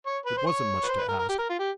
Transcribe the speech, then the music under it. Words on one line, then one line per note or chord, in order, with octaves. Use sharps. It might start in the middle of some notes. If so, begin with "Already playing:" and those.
It wasn't much to ask.
C#5
B4
C5
C#5
B4
C5
B4
A#4
A#4
G4
A#4
F4
G4